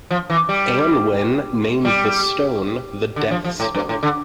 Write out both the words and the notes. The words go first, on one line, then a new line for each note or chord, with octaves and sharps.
Anwen named the stone the Death Stone.
F3
E3
G3
G3
D3
F3
F3
A2
G2
A2
D3